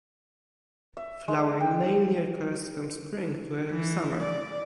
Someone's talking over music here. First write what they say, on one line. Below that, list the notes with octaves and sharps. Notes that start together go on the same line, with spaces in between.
Flowering mainly occurs from spring to early summer.
E5
G#3
G5
E3
D5